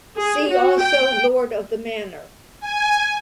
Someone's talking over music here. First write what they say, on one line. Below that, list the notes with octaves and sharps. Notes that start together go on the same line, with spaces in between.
See also Lord of the Manor.
G#4
F#4
G5
G#5